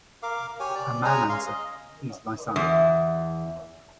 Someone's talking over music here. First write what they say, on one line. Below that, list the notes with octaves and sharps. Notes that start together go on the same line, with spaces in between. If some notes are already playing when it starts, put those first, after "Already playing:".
A man answered, He's my son.
A#4 F5 D6
G4 C#5 G#5
D5
G#3 C#4 G#5 A#5
F5 C6
D#5
E2